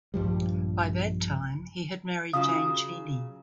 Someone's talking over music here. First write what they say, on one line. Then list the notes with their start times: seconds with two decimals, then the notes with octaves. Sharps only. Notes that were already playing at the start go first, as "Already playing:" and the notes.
By that time, he had married Jane Cheney.
0.14 A#1 G2 F3 G3
2.33 C#3 F#3 F4 F5 D#6